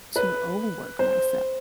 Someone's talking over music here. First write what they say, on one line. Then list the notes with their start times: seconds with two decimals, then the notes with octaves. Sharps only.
to overwork myself,
0.16 B4
0.99 C5